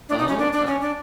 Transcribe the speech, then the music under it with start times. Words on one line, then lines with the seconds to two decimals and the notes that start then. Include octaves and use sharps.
Oh, okay.
0.09 D4
0.18 D#4
0.28 C#4
0.38 D4
0.53 D4
0.66 C#4
0.81 D4